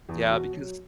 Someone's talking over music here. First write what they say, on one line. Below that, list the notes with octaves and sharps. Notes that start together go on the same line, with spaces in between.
Yeah, because
E2
B2 F#4
F#3